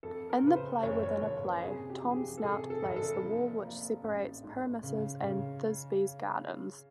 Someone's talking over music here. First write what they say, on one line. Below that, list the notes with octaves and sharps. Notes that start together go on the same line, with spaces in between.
In the play-within-a-play, Tom Snout plays the wall which separates Pyramus' and Thisbe's gardens.
F2 A4
A#4
C#3 B4
C5
F#1 C#5
C#5
F#1 C#5
B4
C3 G#4
G4
F3
G#4
G4
A4
C3 G#4
A4
F1
A4
F3
A#3
A1
G#2
C#3
C#3